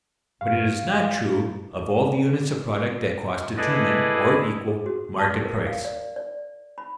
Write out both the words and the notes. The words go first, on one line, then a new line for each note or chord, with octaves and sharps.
But it is not true of all the units of product that costs determine, or equal, market price.
G2 F5
E4 G#4 A4 B4 D5 D#5
G#4
F#4
A5
A#4
F5
D5
D5
B5